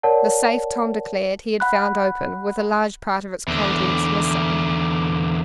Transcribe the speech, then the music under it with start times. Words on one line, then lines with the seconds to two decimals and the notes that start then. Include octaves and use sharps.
The safe, Tom declared, he had found open, with a large part of its contents missing.
0.03 A#4 C#5 D5 F#5 A5
1.60 F#5 B5 F#6
3.48 E2 D3